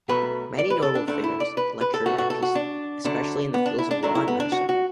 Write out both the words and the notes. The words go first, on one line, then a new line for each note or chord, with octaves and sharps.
Many notable figures lectured at Pisa, especially in the fields of law and medicine.
B1 B2 F#3 A3 B4
D5
B4
A4
D4
D2 D3 A3 D4
E4
D5
B4
B4
A4
B1 B2 A3 F#4
F#4
A4
F#4
D4
D2 D3 F#3 A3 D4
B3
D4
E4
D4
F#2 F#3 A3 D4
E4
B3
D4
F#4
F#4